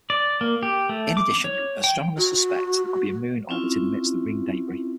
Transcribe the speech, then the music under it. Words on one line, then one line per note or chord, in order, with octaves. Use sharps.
In addition, astronomers suspect there could be a moon orbiting amidst the ring debris.
D5
A#3
G4
A3
D6
C#5
G5
F#4
C4 C#4 E4 F4